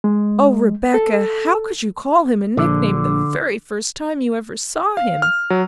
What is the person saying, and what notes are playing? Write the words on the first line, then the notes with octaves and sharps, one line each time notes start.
"Oh, Rebecca! how could you call him a nickname the very first time you ever saw him?"
G#3
A4
A#1 D3
F5
F6
F#3